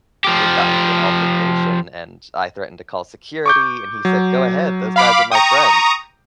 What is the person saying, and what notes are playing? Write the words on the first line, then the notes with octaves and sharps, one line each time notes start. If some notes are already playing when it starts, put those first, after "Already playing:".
it got into an altercation, and I threatened to call security, and he said, "Go ahead, those guys are my friends."
F3 G4
C#6 D6 G6
F#3
F5 B5 D6
G5 A#5 C#6 D#6